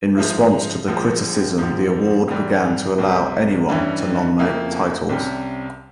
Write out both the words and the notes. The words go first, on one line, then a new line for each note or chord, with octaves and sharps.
In response to the criticism the award began to allow anyone to nominate titles.
G#2 F3 G#3 E4
A#1 A#2 F3 G#3
A#1 G#2 F3
G#2 E3 G3
C2 C3 G3
G2 E3 G3 C#4 E4
F2 C#3 F3 A#3 E4
C2 C3 G3 C#4